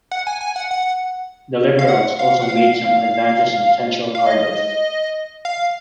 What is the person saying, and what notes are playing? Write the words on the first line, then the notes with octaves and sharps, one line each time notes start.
The Liberals also made some advances in central Cardiff.
F#5
G#5
G#5
F#5
F#5
F5
F#5
F5
F#5
F5
F5
D#5
F5